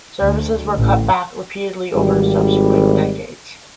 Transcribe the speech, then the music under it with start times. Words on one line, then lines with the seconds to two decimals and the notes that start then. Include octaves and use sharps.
Services were cut back repeatedly over subsequent decades.
0.20 D2
0.75 A1
1.94 G#1 G3